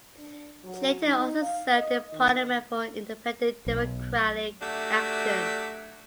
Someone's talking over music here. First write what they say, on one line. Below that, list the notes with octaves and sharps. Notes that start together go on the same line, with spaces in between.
She later also served in parliament for Independent Democratic Action.
D4
F#3
D#4
F5
D#5
D#3
B1
F#3 A3 D4 F#4 G4 E5